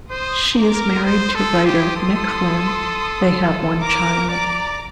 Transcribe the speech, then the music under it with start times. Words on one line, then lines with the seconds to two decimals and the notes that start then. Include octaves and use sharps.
She is married to writer Nick Flynn; they have one child.
0.10 C5 C6 D#6
0.57 A#5 D6
0.73 A#4
1.03 C5 C6 D#6
1.35 A4
1.65 G4
1.96 A4
3.82 A#4 A#5 D6
4.28 D5 A#5 D6